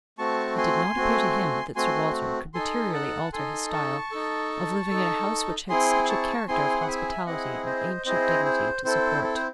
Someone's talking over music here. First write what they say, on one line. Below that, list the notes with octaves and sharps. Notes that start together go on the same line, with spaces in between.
It did not appear to him that Sir Walter could materially alter his style of living in a house which had such a character of hospitality and ancient dignity to support.
A3 C4 F#4 A5 C#6
G#5 C6
A3 C4 F#4
A3 C4 F#4 G#5 C6
D#4 A4 G#5 C6
F#5 A5
D#4 A4 G#5 C6
A5 C#6
D#4 A4
D#4 A4
C4 E4 G#4 G#5 C6
C6
A5 C#6
C4 E4 G#4 G#5 C6
F#5
E5 G#5
C4 E4 G#4 D#5 F#5
C5 D#5
C4 E4 G#4 C5 D#5
C5
C4 E4 A4 C5
A4
C5